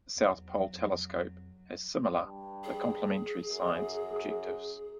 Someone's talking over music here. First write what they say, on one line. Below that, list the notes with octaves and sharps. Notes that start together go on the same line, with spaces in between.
The South Pole Telescope has similar, but complementary, science objectives.
E2 F#3
F2
G2
G#4
F#2